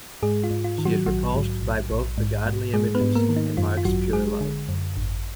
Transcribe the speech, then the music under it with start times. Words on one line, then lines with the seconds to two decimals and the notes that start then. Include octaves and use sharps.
She is repulsed by both the Godly images and Marc's pure love.
0.23 G#2 G#3 G#4
0.44 F4
0.51 G#2
0.64 F4
0.78 D#3
0.85 F#3 F#4
1.06 A#1 F#3 F#4
1.34 G#2
1.62 A#1
1.90 A#1
2.18 G#2
2.46 G#2
2.74 G#2 G#3 G#4
2.95 B3 B4
3.01 G#2
3.15 A#3 A#4
3.29 D#3
3.36 D#4
3.57 F#2 F4
3.77 F4
3.85 G#1 F#3 F#4
4.13 G#1 G#3 G#4
4.41 D3
4.69 F#2
4.97 G#1